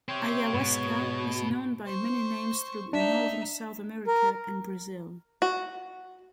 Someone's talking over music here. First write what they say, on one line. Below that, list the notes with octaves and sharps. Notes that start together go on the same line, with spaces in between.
Ayahuasca is known by many names throughout Northern South America and Brazil.
C4 G4 C#5
G#2 B2
C5 C#6
D4 D#4 E5
A#4
F#4